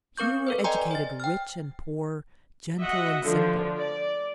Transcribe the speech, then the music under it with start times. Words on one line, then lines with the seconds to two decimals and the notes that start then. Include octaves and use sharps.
Here were educated rich and poor, gentle and simple.
0.17 C4 A#4 C#6 G6
0.47 A4 B4 C5
0.64 D5 D#5 G5 G#5 A#5 C6
0.91 C5 A6
1.20 G5 F6
2.82 F#4 D#5 E5 F#5
3.22 D3 F3
3.76 D5